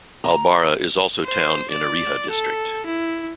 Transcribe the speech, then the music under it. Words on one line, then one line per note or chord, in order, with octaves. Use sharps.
Al-Bara is also town in Ariha district.
A#5
C5
D5
A4
E4